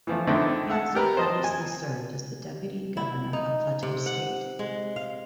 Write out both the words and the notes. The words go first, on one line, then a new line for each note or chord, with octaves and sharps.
He also previously served as the deputy Governor of Plateau State.
E3 F3 A3
D3 D#3 A3 C4 E4
E5 F#5 A5
G4 A#4 B4
C5 D#5 A5
G#5
E4
D#4
C3
F#5
G#3
F5